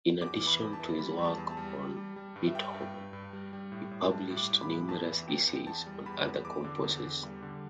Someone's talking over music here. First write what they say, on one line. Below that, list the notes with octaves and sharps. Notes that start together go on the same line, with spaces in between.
In addition to his work on Beethoven, he published numerous essays on other composers.
E2 D6
E3 D6
B5
E2
A5
E3
G3 B5
E2
A5
E2
A5
G3
G3
G3
G3
G2
E5
G3 G5
G2
G2
G2
G3
G3
A2
A2
G3 A5
A2
D6
A2
B5
A2
E2 A5
E3
E2 G5
E2
E2 A5
G3
E2 B5
E2
E2 D6
D3
E2
E2
G3
D3